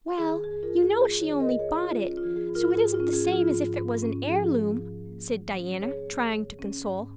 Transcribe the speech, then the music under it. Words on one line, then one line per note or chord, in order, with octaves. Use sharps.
"Well, you know she only bought it, so it isn't the same as if it was an heirloom," said Diana, trying to console.
D#3 G#4
F2 G#4
F4 A#4
F2
G#4
A#3
G#4
D#3 G#4 C#5
A#4 D#5
F2
G#4 C#5
F2
F4
C#4 F4
F4
F3
G#4
G#2
F4 A#4
G#2 G#4
F4
C#4
G#4
F3
F4
G#2
G#2
C#4
F3 G#4
G#2
G#2
A#3
D#3
C#4
G#2 G#4 C#5
A#3
D#3
C#4
G#2